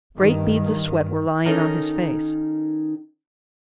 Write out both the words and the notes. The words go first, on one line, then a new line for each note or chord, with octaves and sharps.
Great beads of sweat were lying on his face.
G2 D#3
D#3 C#4 D#4 A4 A#4